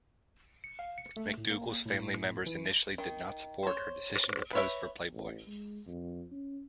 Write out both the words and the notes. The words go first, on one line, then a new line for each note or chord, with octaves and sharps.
McDougal's family members initially did not support her decision to pose for "Playboy".
C#7
F5
C#7
A3
A2
A#3
A2
E3
D#3
C5 C#5
B4 C#5 E5
A1
G#3
F2
C#4